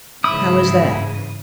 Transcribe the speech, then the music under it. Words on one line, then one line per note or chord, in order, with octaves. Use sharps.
"How is that?"
G#2 C#3 E3 E4 D#6